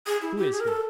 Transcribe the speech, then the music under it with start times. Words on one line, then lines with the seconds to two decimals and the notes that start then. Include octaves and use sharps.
Who is he?'
0.07 G#4
0.22 E4
0.38 G4
0.52 G#4
0.60 A#4
0.68 A4